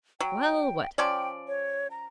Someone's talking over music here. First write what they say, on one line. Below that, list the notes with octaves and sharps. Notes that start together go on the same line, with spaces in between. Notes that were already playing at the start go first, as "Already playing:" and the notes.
"Well, what?"
F#3 G5
F3 C#4 D5 G5
C#5
A#5